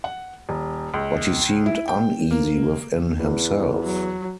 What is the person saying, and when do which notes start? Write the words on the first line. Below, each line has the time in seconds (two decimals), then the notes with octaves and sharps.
But he seemed uneasy within himself.
0.04 F#5
0.49 D#1
0.94 C#2
1.66 E4
1.88 G5
2.31 A#3
3.20 E2
3.84 F#3